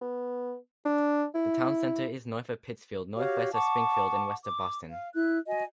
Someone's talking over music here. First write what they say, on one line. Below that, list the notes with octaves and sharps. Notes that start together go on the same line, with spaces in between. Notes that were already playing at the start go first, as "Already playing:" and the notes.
The town center is north of Pittsfield, northwest of Springfield and west of Boston.
B3
D4
E4
F#4 G4 C#5 F5
F#5 A5 C#6 D6
D6
F5
E4 F#6
F#4 D#5 G#5